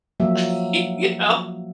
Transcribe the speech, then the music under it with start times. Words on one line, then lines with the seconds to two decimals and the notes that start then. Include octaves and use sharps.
Like, you know,
0.20 F3 F#3 A#3 E5